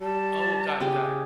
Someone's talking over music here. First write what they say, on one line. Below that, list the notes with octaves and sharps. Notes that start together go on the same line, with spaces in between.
Oh, got it, got it.
G3 A5
C#3 G4 G#4